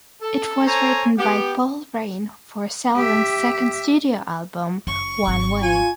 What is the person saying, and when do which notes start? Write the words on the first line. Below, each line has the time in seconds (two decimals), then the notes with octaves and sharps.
It was written by Paul Rein for Selwyn's second studio album, "One Way".
0.22 A4
0.66 A4 C5 C#5 G#5 A#5
1.18 B3 G4
2.96 G4 E5
4.87 F#1 C#6
5.27 G#1
5.63 F4 G#5